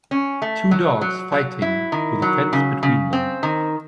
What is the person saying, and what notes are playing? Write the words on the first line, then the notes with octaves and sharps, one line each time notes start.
Two dogs fighting with a fence between them.
C#4
A3
F#3
F#3
F#3
E4
D#3
F#3
C#3
C#3
C4
D#3